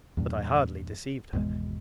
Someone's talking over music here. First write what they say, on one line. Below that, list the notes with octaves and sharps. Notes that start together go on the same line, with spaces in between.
But I hardly deceived her.
E2 G2 A#2
G#1 E2 B2 G#3